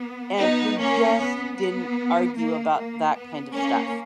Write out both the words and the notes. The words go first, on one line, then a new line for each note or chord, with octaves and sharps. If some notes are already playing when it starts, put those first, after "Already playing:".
and we just didn't argue about that kind of stuff,
Already playing: B3
B3 D#4
A#3 C#4
B3
B3
A#3
A#3
B3
A#3 C#4